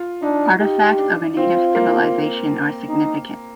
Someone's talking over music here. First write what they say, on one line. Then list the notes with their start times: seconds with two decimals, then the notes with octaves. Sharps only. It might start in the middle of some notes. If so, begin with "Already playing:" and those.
Artifacts of native civilization are significant.
Already playing: F4
0.23 D4 D#4
0.60 D#4 G4
0.98 D4
1.37 C4 F4
1.75 A#3
2.89 D#4